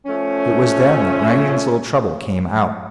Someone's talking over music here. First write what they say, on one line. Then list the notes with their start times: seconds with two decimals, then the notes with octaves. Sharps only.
It was then that Rangon's little trouble came out....
0.06 F3 A3 C#4